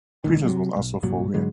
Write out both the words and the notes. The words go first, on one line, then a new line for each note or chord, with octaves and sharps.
Peters was also for Witt.
E1 C#2 D#3
C3 F#3
B1
C2 G2 A#2 F#3
G#2 D3 F#3 G#3